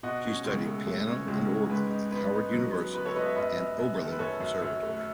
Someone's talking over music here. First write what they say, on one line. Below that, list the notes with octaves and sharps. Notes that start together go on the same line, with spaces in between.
She studied piano and organ at Howard University and Oberlin Conservatory.
B2 D#5 F#5
C#4
C#2
A3
A3
C#4
C#2
C#4
G#2 B4
D#4
B3 B4
D#4
F#3
B3
B3 B4
A4 C#5
B3 B4 D#5
C#5 E5
F#2 B4 D#5
F#2
F#2
D#3
A4
B4
F#2 A4 C#5
F#2
F#2
A3